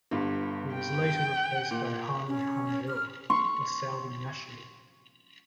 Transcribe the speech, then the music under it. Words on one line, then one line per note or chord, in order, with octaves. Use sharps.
He was later replaced by Hani Hanjour, a Saudi national.
G1 G2
G5
A#2
C#4
F6
C6 C#6